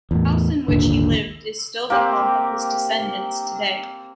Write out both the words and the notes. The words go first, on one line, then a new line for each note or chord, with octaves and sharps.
The house in which he lived is still the home of his descendants today.
E2 A2
G#1 D#2 A#2 D3
A#3 C4 G4